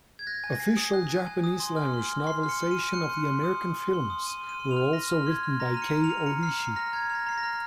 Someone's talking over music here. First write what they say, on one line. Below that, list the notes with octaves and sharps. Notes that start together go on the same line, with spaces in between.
Official Japanese-language novelizations of the American films were also written by Kei Ohishi.
G#6
F#6 A#6
G#5
A#6
G#5 C7
D#6
F#6
G#5
G#5
D#6
C6
F6
C6
F6
C6 C7
F6
C#7
C6 C#7
D#7
F6
F#6 C#7
C6
C6
D#6
F#6
C6
C6
D#6
C6 D#7
F6
D#7
C6
F7
F6
C6 A#6
F6
C6 G#6
F6
A#5 A#6
F6 D#7
C#7
A#5
F7
F6
A#5 C#7
F6 C7
A#5 C7
F6 A#6
A#5 G#6
F6
A#6
A#5 C7
A#6
F6